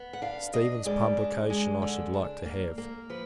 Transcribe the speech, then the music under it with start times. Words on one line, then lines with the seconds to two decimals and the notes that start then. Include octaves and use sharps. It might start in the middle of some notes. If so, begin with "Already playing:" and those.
Stephens's publication I should like to have.
Already playing: B3
0.13 F#5
0.22 D4 F5
0.54 D4 D#5
0.85 G#3 D5
1.18 D4
1.50 G#3
1.82 D3
2.13 D4
2.46 A#3
2.78 A#3
3.10 F3 B4